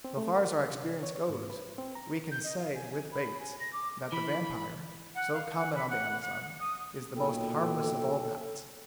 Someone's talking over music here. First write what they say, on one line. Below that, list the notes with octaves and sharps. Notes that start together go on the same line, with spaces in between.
So far as our experience goes, we can say, with Bates, that the vampire, so common on the Amazon, is the most harmless of all bats.
C4
A3
A#4
C3
C#5
C#5
G#2
B4
C4
A#5
G6
D#5
F5
G#5
G#5
B5
G#5
A#6
D6
E3 B5
F#5
F5
F#5
B5
F#5
F#5
D#6
B1 A#2 A4 G5